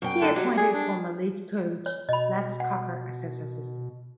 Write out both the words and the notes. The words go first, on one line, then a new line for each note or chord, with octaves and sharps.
He appointed former Leeds coach Les Cocker as his assistant.
F#2 G5
D3
F#3 G3
G#4
D4
C#5
B2 D#5 B5
F#5